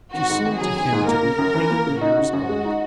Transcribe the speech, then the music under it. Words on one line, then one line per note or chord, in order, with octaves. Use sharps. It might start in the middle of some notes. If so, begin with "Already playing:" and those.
She seemed to him to be eight years old.
G#1 F#4
G#2
G#1
F#3 G#4
G#1
G#2
A#3 A#4
C#3
F#2
E3
A#3
C#3
D#4 F#4
C#3
F#2
G#3
D#4